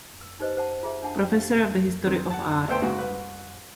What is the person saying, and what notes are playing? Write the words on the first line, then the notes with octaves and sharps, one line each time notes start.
Professor of the History of Art.
E6
D#4 G4 B4 C5 D#5
C5 F#5 A5
F4 G#4 E5
D4 E5 F#5 A5
G4 F5
D#3 C4
F#5 A5
D2 A3 B3 C5 G5 C6
G#2 C#3 F#4
C2 B4